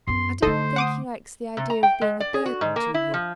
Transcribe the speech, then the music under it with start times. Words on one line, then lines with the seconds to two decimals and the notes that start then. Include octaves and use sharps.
"I don't think he likes the idea of being a burden to you."
0.07 F#2 B3 C6
0.42 D3 A3 D#4 A4 C5 D#5
0.76 F#5 D6 D#6
1.57 C3
1.70 A#5
1.83 G5
2.01 G#3
2.20 D5
2.34 G#4
2.46 F#4
2.61 G#2
2.76 A#3
2.94 E4
3.14 F3